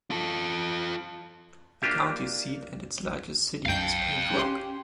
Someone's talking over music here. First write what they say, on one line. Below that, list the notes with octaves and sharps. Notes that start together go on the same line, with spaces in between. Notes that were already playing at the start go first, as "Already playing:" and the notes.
The county seat and its largest city is Paint Rock.
F4 A4
A#3 D4 F4 G4 E5
B1 F#2 F5 G5 G6
C#4 G4 C6